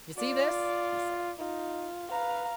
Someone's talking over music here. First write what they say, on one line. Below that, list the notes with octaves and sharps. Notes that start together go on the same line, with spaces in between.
"You see this?" he said.
F4 D5
D#4 F4
B4 F5 A#5